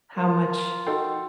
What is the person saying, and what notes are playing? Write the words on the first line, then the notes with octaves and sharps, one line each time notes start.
How much
F4 A#4
D#4 F#4 A4 G5 C6